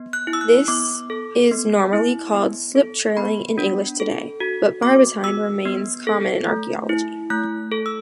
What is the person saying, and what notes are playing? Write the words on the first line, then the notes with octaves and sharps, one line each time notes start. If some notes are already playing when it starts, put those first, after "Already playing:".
This is normally called slip-trailing in English today, but "barbotine" remains common in archaeology.
Already playing: B3
F#6
E4
E6
F#6
B3 D6
A4
B3
E4
B3
A4
B3 B5
D4
A4
F#4
B3 D6
F#4 E6
B3
A4
A3
E4
A3 F#6
A4
E6